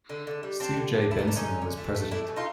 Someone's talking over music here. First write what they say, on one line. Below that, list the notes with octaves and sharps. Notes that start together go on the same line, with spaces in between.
C. J. Benson was president.
D3
D3
G3
G3 C4 D4
D3
G3
A3 E4
D#4
D3 D4
C#4 D#4
D3
D3
A3
A3
A3 D4 E4
B2
D#4 F4